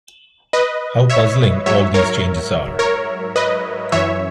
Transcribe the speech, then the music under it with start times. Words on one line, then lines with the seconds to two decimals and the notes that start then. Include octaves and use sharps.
How puzzling all these changes are!
0.53 B4 D#5
1.10 C#5 E5
1.66 G#2 F#3 C#5 E5
1.94 A#4 C#5
2.79 A#4 C#5
3.36 B4 D#5
3.92 F#2 E3 C#5 E5